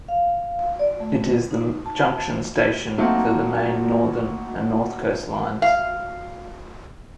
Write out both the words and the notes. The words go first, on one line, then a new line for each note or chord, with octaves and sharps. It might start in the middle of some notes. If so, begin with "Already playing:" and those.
It is the junction station for the Main Northern and North Coast lines.
F5
D5
A3
D#4
A5
F#3 A3 A#3 C4 D#4 F#4
F5